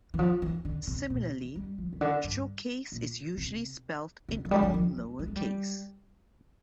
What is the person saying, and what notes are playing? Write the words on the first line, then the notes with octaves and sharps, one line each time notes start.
Similarly, Showcase is usually spelt in all lower case.
E3
F3
E3
D3
C3
A#2
E3
G3
F3
C3
D3
G2
A#2
C3
C3
F3
G3
F3
F3
A3
G3
A3
G3